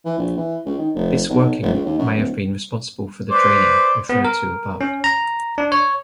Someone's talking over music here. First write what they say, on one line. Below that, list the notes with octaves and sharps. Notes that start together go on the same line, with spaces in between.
This working may have been responsible for the draining referred to above.
E3
A#1
E3
C#2
D#3
F1
B1
F1
C#2
D#2
F#2
D1
B4 C5 D5
B3
A#4
C#4
A#5
D4
C#5